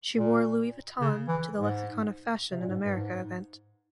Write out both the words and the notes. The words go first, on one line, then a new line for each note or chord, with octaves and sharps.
She wore Louis Vuitton to the Lexicon of Fashion in America event.
A#2
C#3
E3
G#2
C3
A#2
G#2
G2
G#2